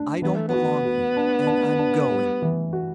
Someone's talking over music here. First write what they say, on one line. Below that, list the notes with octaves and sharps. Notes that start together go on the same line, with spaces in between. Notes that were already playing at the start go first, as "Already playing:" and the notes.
I don't belong here, and I'm going.
Already playing: D4
E3 B3
A3
B3
F#4
F#4
D4
D4
D4
G3
E3
F#4